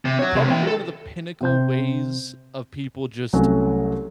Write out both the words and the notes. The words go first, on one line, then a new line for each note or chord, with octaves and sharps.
probably one of the pinnacle ways of people just
C3
F#4 C#5
C#2 C3
E3 G5
F#4 A4
C3 C5 G6
C2 F#3 A3 C#4